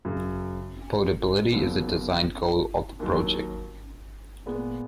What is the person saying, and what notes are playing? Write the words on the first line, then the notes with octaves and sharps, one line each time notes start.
Portability is a design goal of the project.
F#2 C#3 F#3
D#2 C#3 F#3 B3
D#2 D#3 F#3
A#2 G#3 B3